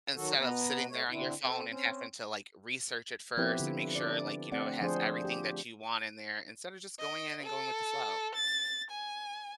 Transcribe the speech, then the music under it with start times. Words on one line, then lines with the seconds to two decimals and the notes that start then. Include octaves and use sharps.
Instead of sitting there on your phone and having to like research it first and make sure like, you know, it has everything that you want in there instead of just going in and going with the flow.
0.15 D#3 F#3 F#4 A4
0.38 B2 B3 B4 A#5
0.89 A3 C#5
1.10 D3 C4 D4 E4
1.41 C4 A4
1.68 C4 C#4
3.37 F3 B3 C4 E4 G4 B4
3.60 D3
3.95 D4 D5
4.52 A3 C4 D5 F#5
4.81 F3 D4 G#4 C5
5.25 G4
6.99 D#5
7.43 A4
8.35 A6
8.91 G#5